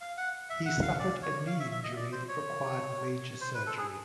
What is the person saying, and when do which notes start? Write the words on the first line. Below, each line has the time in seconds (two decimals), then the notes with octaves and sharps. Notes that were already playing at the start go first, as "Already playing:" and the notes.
He suffered a knee injury that required major surgery.
0.01 F5
0.17 F#5
0.50 E5
0.66 F#5
0.82 F5
0.99 D5
1.23 C#5
1.47 F5
1.60 E5
1.71 E5
1.83 D#5
1.96 D5
2.12 C5
2.28 C#5
3.41 C5
3.54 B4
3.66 A4
3.78 G#4